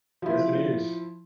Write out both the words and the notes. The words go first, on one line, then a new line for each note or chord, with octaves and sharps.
Yes, it is.
F3 E4